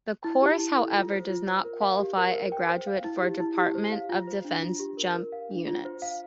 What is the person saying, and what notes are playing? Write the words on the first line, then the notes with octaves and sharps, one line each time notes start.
The course, however, does not qualify a graduate for Department of Defense jump units.
E4
G4
E4
A4
F4
C5
F4
C5
A#4
F5
G4
A#4
C5
G5
C5
F5
E4
G4
E4
G4
C5
F5
F4
C5
D4
F4
G4
A#4
A#4
F5
D4
F4
C5
F5